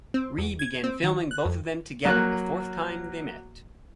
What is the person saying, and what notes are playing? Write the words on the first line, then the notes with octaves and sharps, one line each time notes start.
Ree began filming both of them together the fourth time they met.
C4
E2
G#6
C4
D#3
F#6
F2
F#3 A#3 F#6